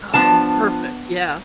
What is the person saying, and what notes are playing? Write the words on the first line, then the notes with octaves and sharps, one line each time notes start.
Oh, perfect. Yeah.
F3 B3 D4 A5